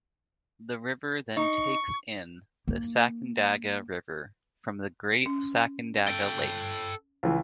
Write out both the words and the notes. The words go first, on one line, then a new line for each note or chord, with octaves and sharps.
The river then takes in the Sacandaga River from the Great Sacandaga Lake.
D#4 C#6
A#3 D#4
C#4
A4 G5
C#2 E3